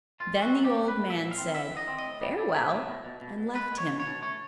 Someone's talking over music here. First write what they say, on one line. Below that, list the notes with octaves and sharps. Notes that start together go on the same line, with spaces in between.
Then the old man said "Farewell," and left him.
A#2 F4
C4 F#4
A#2
G4
A#2
G3 B4
A#2
E5
A#2
F5
C4
E3 E5
E3
D#5
C4
D#5
A2
G3
G3
A2 E5
A2
B2
B2
B2
B2
G#3 B4
G#3
C#5
B2
C#5
B2
A3 C#5